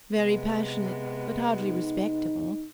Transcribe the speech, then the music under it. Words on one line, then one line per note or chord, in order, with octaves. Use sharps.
'Very passionate, but hardly respectable.
C3 G#3 B3
D#4